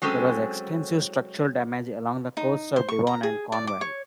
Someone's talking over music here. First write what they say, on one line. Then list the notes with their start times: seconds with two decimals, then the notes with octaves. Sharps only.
There was extensive structural damage along the coasts of Devon and Cornwall.
0.02 F#3 G#3 C4 C#4 A4
2.37 D#4
2.76 C5
2.89 C#6
3.07 A#5
3.23 G#4
3.52 D5
3.67 D6
3.81 C#5